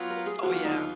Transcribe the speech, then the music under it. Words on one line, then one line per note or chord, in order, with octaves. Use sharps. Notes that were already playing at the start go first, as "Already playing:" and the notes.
Oh, yeah.
Already playing: F#3 B3 F4 B4
A#4
G#4
D#2 D#3 F#3 B3 F4 F#4
D#4